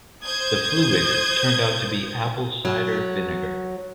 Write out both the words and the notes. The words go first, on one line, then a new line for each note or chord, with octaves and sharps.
The fluid turned out to be apple cider vinegar.
C5 D#6 G6 G#6
F#3